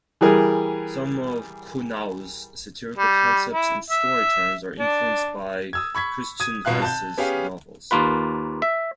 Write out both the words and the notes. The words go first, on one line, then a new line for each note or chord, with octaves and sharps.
Some of Kuhnau's satirical concepts and story turns are influenced by Christian Weise's novels.
E3 G3 G#4 A#4
G3
E4
E5
D4
D#6 E6 G#6
B5 C#6 G#6 B6
D#6 G#6 D#7
G#1 B2 F4 F5 F#6
A5 G6
B3 C#4 G4 G#4 F5
D#2 A#3 F4 B4
E5